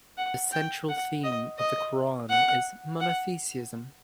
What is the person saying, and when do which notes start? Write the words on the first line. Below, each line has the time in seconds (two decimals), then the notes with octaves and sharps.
The central theme of the Quran is monotheism.
0.18 F#5
0.53 G5
0.89 F#5
1.24 D#5
1.59 D#5
2.29 F#5
3.00 F#5